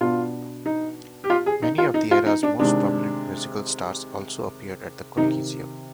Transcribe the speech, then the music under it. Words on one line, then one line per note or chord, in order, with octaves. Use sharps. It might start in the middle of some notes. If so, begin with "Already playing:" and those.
Many of the era's most prominent musical stars also appeared at the Coliseum.
B2 B3 D4 F4
D#4
G4
F4
G#4
D#4
F4
D#4
F4
D#4
D4
C3 D#3 G#3 D4
C3 D#3 D#4